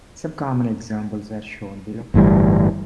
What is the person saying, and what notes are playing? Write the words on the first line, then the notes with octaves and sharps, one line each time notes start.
Some common examples are shown below.
G1 A2 E3 G3